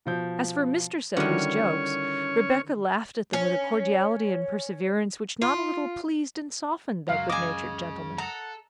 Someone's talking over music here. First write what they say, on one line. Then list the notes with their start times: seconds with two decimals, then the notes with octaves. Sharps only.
As for Mr. Sedley's jokes, Rebecca laughed at them with a cordiality and perseverance which not a little pleased and softened that good-natured gentleman.
0.05 B2 F3 G6
1.17 D3 D#3 G3 C#4 E4 F#4 C#5
3.33 C#4
5.42 F4
7.09 C#2 F#2 F#3 F5
7.30 C#3 D#5 G#5 D6
8.18 A4 F#5 A#5